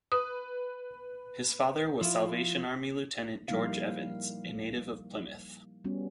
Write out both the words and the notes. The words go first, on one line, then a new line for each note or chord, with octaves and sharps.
His father was Salvation Army Lieutenant George Evens, a native of Plymouth.
B4 D#6
F3 E4 F4
F3 G3 A#3 D#4 E4 F5
G3 B3 C#4 F#4